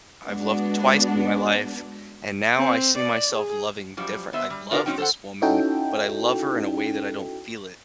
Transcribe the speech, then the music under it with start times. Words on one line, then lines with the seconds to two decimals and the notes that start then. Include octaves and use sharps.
I've loved twice in my life, and now I see myself loving different I love this woman, but I love her in a way that I don't feel it.
0.25 G#3 B3 D4 F#4
2.57 C4
2.98 D5
3.34 G#4
3.97 F#2 F3 G3
4.33 B3 C5 E5
4.50 G3
4.71 D4 F4 F#4 A#4 B4 F5
4.86 C4 C#4 D#4 F#4 G5
4.98 A4 C5 F#5
5.42 C#4 D#4 E4 F#4 A4 G5